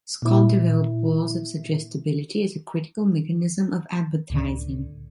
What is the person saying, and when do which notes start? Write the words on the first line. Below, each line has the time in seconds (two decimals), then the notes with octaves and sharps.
Scott developed laws of suggestibility as a critical mechanism of advertising.
0.22 A#2 E4
4.30 C#2 A2 D3